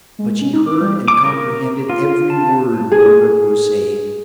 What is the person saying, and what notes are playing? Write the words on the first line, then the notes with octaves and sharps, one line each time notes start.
But she heard and comprehended every word Wardrop was saying.
G#3
C#4
D#4
D6
G3
D6
A#4
F4
A5
G#4